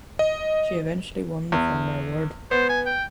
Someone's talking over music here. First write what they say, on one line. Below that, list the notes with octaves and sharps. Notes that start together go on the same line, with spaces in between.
She eventually won the former award.
D#5
E2
B3 C5
G#5
G5